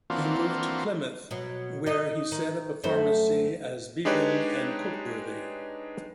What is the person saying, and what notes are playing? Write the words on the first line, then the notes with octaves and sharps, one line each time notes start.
He moved to Plymouth, where he set up a pharmacy as Bevan and Cookworthy.
E3 A#3 C4 D4 F4 F#4
B2 F#3
D#4 D#5
D#3
F#2 A3 C5
G#3 D4 D#4 G4 B4 C#5